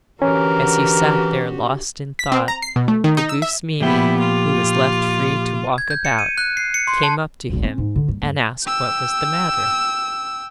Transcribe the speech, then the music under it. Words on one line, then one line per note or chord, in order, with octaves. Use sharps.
As he sat there lost in thought the goose Mimi, who was left free to walk about, came up to him and asked what was the matter?
D3 E3 C#4 F#4 G4 A#4
B6
C4
A#5
C7
B2
A3
D#3
D#4
E6
E5
A#2 F3 B3 E4 G4 G5
F4
G#6
G6
C#7
D#7
F#6
C7
C#7
C6
A5
G#1 D2
C4 C#4
G#2
D3
G2
G2
G5 E6